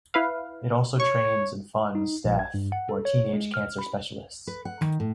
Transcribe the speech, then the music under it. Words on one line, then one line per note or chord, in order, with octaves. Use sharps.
It also trains and funds staff who are teenage cancer specialists.
E4 B4 F5
C#5 C#6
D#4
A#1
G#6
G2
F#5
A4
C#5
G#3
F6
B5
B4
F#5
D#3
A2